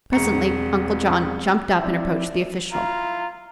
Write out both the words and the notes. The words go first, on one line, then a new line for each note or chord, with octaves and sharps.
Presently Uncle John jumped up and approached the official.
E1 C4 A#5 C#7
F3 C4 E4 D5 E5
E4 F4 A#5